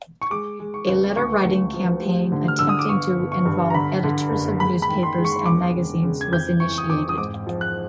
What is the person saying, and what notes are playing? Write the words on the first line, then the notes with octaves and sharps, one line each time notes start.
A letter-writing campaign attempting to involve editors of newspapers and magazines was initiated.
C#6
G#3 D6
G#3
C#6
C#2
D2 C#6
D2
F3
G3
D3
F6
D3 E6
D#6
D6
G1 C#6
G1
C#6
G2
A#5
D3 B5
D3
F#1
G#3 B5
B5
D#3
C6
G#3
C#6
E1 D6
C#3
C#3
G#6
F2 G6
E3 C#6
D#6
F2 D6
D#6
G#2 D6
F3
F#6